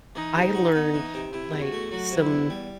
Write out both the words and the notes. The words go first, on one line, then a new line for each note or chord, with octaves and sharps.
I learned, like, some
E3 D#4
C3
F#4
B3
E3
C3
C3 E4
E2
F#4
A3
F#3 F#4
C3
E4
E2
G3